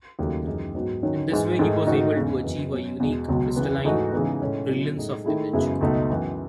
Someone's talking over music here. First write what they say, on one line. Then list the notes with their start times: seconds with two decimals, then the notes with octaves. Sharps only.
In this way he was able to achieve a unique crystalline brilliance of image.
0.19 D#2 C#3 F#3 A3
0.47 F#2 E3 G#3 D#4
0.75 G#2 F#3 B3 F#4
1.03 D#3 F#3 C#4
1.31 G#2 E3 G#3
1.59 G#2 D#3 A3 D#4 G#4
1.87 G#2 D#3 A3 D#4 F#4
2.15 E2 C#3 G#3
2.44 F#2 E3 B3
2.71 B2 F#3 C#4
3.00 E2 B2 G#3
3.29 C#2 B2 F#3
3.56 E2 C#3 E3 B3
3.85 G#2 E3 A3 D#4 F#4
4.12 C#3 E3 G#3 B3 D#4
4.41 A2 G#3 C#4 E4
4.69 B2 F#3 C#4 E4
4.97 A2 G#3 D#4 G#4
5.25 D#3 A3 E4 G#4
5.53 F#2 C#3 G#3 B3 E4
5.81 C#2 B2 A3 D#4
6.10 F#2 E3 B3